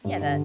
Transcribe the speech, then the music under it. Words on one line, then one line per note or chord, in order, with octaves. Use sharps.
Yeah, that
G2
D3